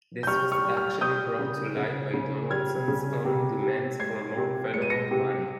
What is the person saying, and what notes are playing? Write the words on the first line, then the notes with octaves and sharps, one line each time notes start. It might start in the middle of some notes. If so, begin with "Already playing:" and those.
This was actually brought to light by Donaldson's own demands for more Federal money.
G6
G3 C#6 F6
C#6 F6
G3
C#6 F6
G3 D#6 G6
C#3
C#3
C#3
G3 F6 G#6
C#3
C3
C3
G#3 G#6 C7
C3
G#3 C#7
D#7
A#6 C#7
C3